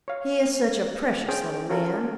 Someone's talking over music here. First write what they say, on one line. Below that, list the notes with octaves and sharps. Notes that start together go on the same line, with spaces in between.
He is such a precious little man.
C#5 F5
C#4 G#4 C5 G5
C#4 F#4 A4 A#4